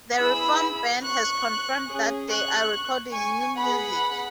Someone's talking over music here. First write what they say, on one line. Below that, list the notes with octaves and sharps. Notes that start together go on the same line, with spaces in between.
The reformed band has confirmed that they are recording new music.
B3 E4 G#4 B5 E6
C#6 F#6
C#4 G#4
C#6 F#6
G#5 C#6
B3 G#4 F#5 B5